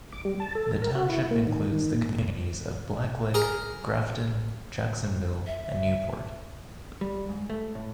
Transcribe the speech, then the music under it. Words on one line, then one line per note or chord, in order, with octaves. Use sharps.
The township includes the communities of Black Lick, Grafton, Jacksonville, and Newport.
D6
G3
A5
A4
A#4
F#4
E4
A#3
D#3
D#3
A#2
G#4 A#4 A#5
E5
G3
G#2
A3
A2